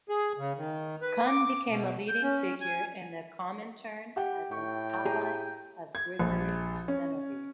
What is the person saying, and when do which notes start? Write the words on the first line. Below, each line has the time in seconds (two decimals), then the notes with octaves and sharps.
Kun became a leading figure in the Comintern as an ally of Grigory Zinoviev.
0.09 G#4
0.38 C#3
0.57 D#3
1.02 B4
1.27 D6
1.69 B2
2.08 G6
2.23 C#4
2.61 G#5
4.16 G4 F#5 G5
4.51 A2 G5 C#6
5.05 G4 G#4 A#5
5.95 G#6
6.19 A#1
6.88 C#4